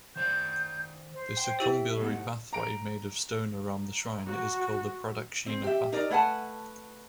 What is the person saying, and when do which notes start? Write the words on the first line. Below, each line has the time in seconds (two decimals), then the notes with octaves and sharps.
The circumbulary pathway made of stone around the shrine is called the Pradakshina path.
0.16 D#3 C5 D5 G6
1.14 C5
1.37 G5
1.59 E4 G4 C5 E5
1.97 G#3 B3
2.10 G#2 A3 F#5
2.53 A#5 D7
4.27 F#4
5.46 C4
5.64 G4 E5
5.92 D#4 A#4 D5
6.10 A3 B4 F#5 G#5 A5